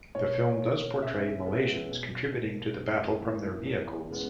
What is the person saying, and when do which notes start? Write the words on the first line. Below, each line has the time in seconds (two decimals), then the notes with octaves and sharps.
The film does portray Malaysians contributing to the battle from their vehicles.
0.15 B2 C#5
0.59 A#3
1.02 C#3 E5
1.46 G#3 B3
1.89 B2
2.34 A#3
2.78 F#2
3.22 E3 A#3
3.65 E2
4.09 C#3 G#3 B3